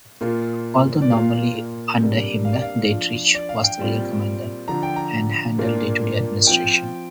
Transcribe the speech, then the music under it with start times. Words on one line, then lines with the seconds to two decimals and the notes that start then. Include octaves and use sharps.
Although nominally under Himmler, Dietrich was the real commander and handled day-to-day administration.
0.21 A#2 A#3 F4
1.02 D5
1.10 A#2 A#3 F4 F5
2.00 C3 G3 A#3 D4
2.45 F5
2.53 D5
2.62 F5
2.90 F3 D4 F4
3.35 D5
3.49 F5
3.63 G5
3.79 A#2 G3 C4 F4
4.68 D3 F3 D4 A#5
4.83 G5
4.96 A#5
5.58 A#2 A#3 D4 F4
6.47 F3 C4 F4 G5